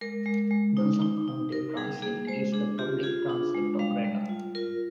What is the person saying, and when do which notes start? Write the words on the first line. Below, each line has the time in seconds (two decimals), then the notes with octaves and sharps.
Johnson County Transit is the public transit operator.
0.01 G#3 A#4
0.26 G#3
0.51 G#3
0.77 D#4
1.02 D#4
1.28 D#4
1.52 D#4 A#4
1.77 G3 G#4
2.02 A#3 G#4
2.27 G#3 C5
2.52 D4 G#4
2.78 F4 G4
3.03 F4 G#4
3.29 D4
3.55 G#3
3.79 G3 F5
4.04 G3
4.29 F4
4.55 F4 A#4